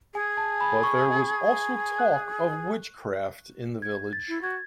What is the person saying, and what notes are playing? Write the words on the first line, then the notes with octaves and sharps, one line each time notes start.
But there was also talk of witchcraft in the village.
G#4 G#5
A5
B5
C#6
F#6
G#6
A6
E4
F#4 G#6